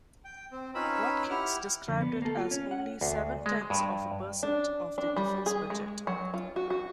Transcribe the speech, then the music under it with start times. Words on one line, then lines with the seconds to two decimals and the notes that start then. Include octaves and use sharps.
Watkins described it as only seven-tenths of a percent of the defense budget.
0.25 G5
0.52 C4
0.75 C#4 D#4 F4 B4 B5 E6
1.30 E4 G4 F#5 F6
1.88 F2 D3
2.01 B3
2.22 A#3 A4
2.36 F4
2.51 C#4
2.71 F#5
3.01 D2
3.46 G#3
3.70 G2
4.43 D4
4.98 D4
5.16 G3
5.46 G#4
5.70 G#3
6.07 F#3
6.34 F4
6.56 F#4
6.70 F#4